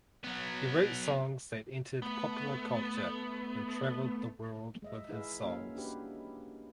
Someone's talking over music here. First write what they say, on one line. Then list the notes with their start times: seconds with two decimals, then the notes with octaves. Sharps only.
He wrote songs that entered popular culture and traveled the world with his songs.
0.24 F#3 B3
2.02 A3 B3
4.82 G#3 D#5 E5
5.09 D#4 E4 G#4 B4 E5 F5
5.41 A#3 C#4 F#4 F5
5.75 D4 F#4 G4 B4